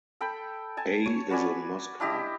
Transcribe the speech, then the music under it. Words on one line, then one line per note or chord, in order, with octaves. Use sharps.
A is in Moscow.
A4 G5 B5
G#5 A5
C#5
F#4 B4 D5 G#5
D4 E4 G4 D#5